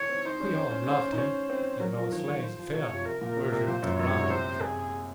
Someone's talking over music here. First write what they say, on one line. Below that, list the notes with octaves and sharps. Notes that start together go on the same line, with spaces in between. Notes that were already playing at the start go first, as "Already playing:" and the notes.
We all loved him, and our slaves fairly worshipped the ground he trod.
Already playing: C#5
C4
D#4 C5
C#4
C#4
C#4
C#4 C5
D#4
C#4 C5
C4
F#3 A#4
F3
D#3 C#5
D#3
F3 C5
F3
C3 C#5
F3
C3 A#4
A#2
C3
C3
A#2 C5
F#2
F#2 C#5
G#2
C3
C3 C5
G#4